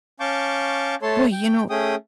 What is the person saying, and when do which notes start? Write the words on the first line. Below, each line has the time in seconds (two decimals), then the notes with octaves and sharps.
Boy, you know
0.20 C#4 F5 A5 C#6 D6 G6
1.02 A3 A4 C#5 A5 C6
1.32 G5
1.70 A3 C#4 G#4 G5 D#6